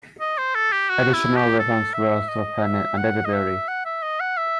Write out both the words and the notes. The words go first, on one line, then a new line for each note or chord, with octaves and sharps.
Additional weapons were also planned under the belly.
D#5
C5
A4
G4
F#4
E4
G4
A4
E5
D#5
E5
F#5
D#5
E5
F#5
E5
D#5
F#5
E5